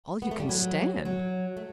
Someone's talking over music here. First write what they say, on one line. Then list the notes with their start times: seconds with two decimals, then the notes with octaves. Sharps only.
"All you can stand?"
0.22 B3
0.31 A3
0.40 G3
0.49 F#3
1.05 F#3
1.57 A3